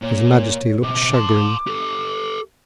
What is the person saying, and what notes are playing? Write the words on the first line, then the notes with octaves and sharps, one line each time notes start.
His Majesty looked chagrined.
A#2 C#5
B2 C4 D6
A5 C6
G4 A4